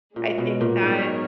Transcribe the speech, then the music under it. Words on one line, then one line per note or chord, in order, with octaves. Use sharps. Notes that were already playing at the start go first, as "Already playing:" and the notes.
I think that
A#2 G#3 C#4 F#4
B2
A#2
G#2 F#3 B3 D#4 A#4 C#5